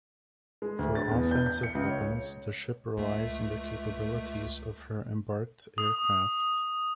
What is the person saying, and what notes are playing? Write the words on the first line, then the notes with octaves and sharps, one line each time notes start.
For offensive weapons, the ship relies on the capabilities of her embarked aircraft.
G#3
D2
A6
E2
G6
G6
C#7
C#2
C#5
C#2 A3
D#6